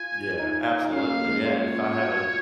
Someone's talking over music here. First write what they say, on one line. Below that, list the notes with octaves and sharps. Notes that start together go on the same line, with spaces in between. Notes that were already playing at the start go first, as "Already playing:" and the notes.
Yeah. Absolutely. Yeah. If I have a
Already playing: F4 G#5
D#4
D#4
C#4 F5
A#3
G#3
F4 C#5
F#4
F4